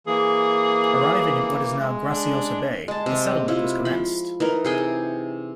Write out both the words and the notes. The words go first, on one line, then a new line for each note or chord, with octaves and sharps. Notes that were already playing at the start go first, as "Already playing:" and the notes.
Arriving at what is now Graciosa Bay, a settlement was commenced.
E3 A#3 G#4
G#3
D4
G#3 A5
C3
E4 F4
F3 B5
E3 D#4 A#4
C3 G#4 G5